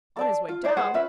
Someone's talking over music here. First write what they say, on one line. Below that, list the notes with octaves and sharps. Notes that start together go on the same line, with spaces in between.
On his way down!
A4 D5 A5
F4
E4 C5 D5
G#4 B4 C5 F#5
C#4 F4 B4 E5